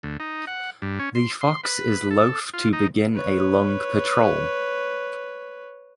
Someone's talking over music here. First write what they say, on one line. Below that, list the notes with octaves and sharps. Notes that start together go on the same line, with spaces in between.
The fox is loath to begin a long patrol.
D2
D#4
F#5
G2
C#4
C6
C6
B4
A4
F4
D#4
B4 C#5